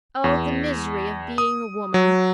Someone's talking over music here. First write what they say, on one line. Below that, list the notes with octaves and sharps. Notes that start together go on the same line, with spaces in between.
Oh, the misery of being a woman!
E2
D#6
F#3